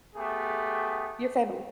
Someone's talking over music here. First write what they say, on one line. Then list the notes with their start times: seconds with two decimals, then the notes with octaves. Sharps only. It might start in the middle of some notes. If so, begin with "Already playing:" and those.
your family.
0.16 A3 B3 G4 G#4